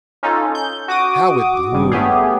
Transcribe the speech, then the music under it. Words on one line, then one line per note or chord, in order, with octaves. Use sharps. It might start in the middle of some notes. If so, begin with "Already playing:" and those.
How it bloomed!
C#4 D#4 F4 A4
G6
F#4 D6 D#6
G#1 G2
A3 B3 C#4 G4 G#4